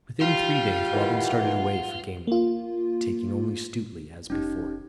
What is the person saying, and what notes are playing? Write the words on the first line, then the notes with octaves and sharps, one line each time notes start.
Within three days Robin started away for Gamewell, taking only Stuteley, as before.
G3 F4 F5
D#3 E3 F#5
A#3 F4
F1 C#4 D#4 G4